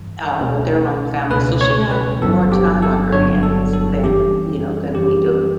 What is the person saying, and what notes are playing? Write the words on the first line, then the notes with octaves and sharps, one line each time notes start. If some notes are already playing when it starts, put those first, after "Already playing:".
uh, with their own family, so, she have more time on her hands than, you know, than we do.
Already playing: G2 E3 G3
C#2 B2 A3 C#4
C#2 B2 A3 C#4 B4
C#5
B4
G1 G2 F#3 B3 D4 A4
G4
A4
G1 G2 F#3 B3 D4 C#5
A4
A4
F#2 E3 G3 C#4 G4
F#2 E3 G3 C#4 G4